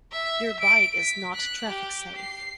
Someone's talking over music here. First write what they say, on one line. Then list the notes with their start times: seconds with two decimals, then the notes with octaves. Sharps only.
Your bike is not traffic safe.
0.12 E5
0.60 D7
1.00 B6
1.34 F#6
1.68 G4
2.15 C7